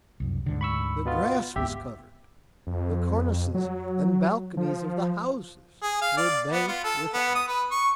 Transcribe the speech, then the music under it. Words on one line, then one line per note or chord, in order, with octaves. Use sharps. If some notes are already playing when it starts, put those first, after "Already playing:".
The grass was covered; the cornices and balconies of the houses were banked with ashes.
C2 F#2
D2 G#2 D3
B5 C#6 E6
B2 B3 F4
G#1 D2 B3 G4 E5
F2
F#3
F3
G#4
F5
D5
B3
F4
A4
B3
D#6
B4
C#6